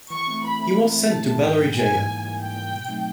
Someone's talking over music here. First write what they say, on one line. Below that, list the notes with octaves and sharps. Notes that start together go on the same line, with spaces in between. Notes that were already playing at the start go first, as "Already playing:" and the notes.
He was sent to Bellary Jail.
E3 C#6
A3 C4
E3 B5
A3 C4
E3
A3 C4
E3 A5
A3 C4
G#2 G5
E3 G3 A#3
G#2 G#5
E3 G3 A#3
G#2
E3 G3 A#3
G#2 G5
E3 G3 A#3
B2
F#3 A3 C4 D#4